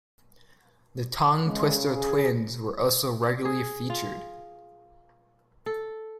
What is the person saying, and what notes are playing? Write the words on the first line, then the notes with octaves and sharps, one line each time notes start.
The "Tongue Twister Twins" were also regularly featured.
C#3 G#3
G#4
G#4
F4
A4